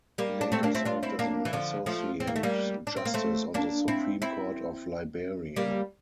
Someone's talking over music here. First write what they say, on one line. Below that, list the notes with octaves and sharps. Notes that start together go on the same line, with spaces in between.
He later served as an Associate Justice on the Supreme Court of Liberia.
G3 A#3
D4
A3 C4
A#3 D4
C4 E4
D4 F4
C4 E4
A#3 D4
E3
D3 F3
F3 A3
C4
A#3
A3
G3 A#3
D4
C4
A#3
A3 C4
A#3 D4
C4 E4
C4 E4
G3 A#3